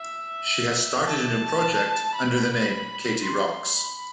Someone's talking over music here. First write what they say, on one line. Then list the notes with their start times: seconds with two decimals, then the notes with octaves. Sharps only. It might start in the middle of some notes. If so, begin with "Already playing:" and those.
She has started a new project under the name Katie Rox.
Already playing: E5
1.07 A5
2.15 B5
3.22 C6
3.76 B5